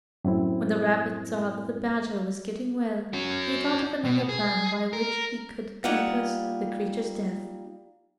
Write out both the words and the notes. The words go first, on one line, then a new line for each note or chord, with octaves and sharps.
When the rabbit saw that the badger was getting well, he thought of another plan by which he could compass the creature's death.
F#2 A2 C4 E4
C#4 F#4
B2
G#4
A#4
G3 A#3 D#4 F4 F#5